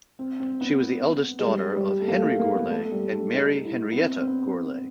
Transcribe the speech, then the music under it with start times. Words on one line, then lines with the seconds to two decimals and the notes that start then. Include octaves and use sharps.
She was the eldest daughter of Henry Gourlay and Mary Henrietta Gourlay.
0.19 C4
0.40 C4
0.61 B3
1.39 G#3
1.45 G3
1.76 G3
2.01 A3
2.08 A#3
2.16 A3
2.24 A#3
2.39 A#3
2.55 B3
2.70 A3
2.92 G3
3.13 A3
3.33 D#4
3.65 E4
3.92 B3
3.96 C4
4.20 C4
4.27 B3